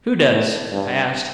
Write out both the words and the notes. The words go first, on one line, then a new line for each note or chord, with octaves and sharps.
"Who does?" I asked.
A2
G2